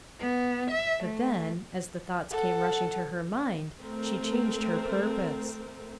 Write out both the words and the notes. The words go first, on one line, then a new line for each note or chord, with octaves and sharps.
But then, as the thoughts came rushing to her mind, she changed her purpose.
B3
E5
A3
A4 F#5
A3 C4 A#4